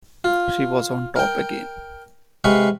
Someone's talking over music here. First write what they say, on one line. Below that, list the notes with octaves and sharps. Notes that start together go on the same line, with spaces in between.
She was on top again.
F4
A#4 G5
C3 G#3 B4 F5 C#6